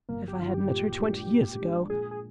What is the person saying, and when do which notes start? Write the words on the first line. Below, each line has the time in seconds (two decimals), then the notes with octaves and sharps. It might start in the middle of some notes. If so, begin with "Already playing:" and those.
If I had met her twenty years ago!
0.09 G1 A#3
0.28 G4
0.39 G2 D#3 F4
0.54 G4
0.69 A#2
0.99 G#3 D4 F4
1.30 A#2
1.60 F3 G#3 D4
1.90 A#2 G#4
2.11 G#4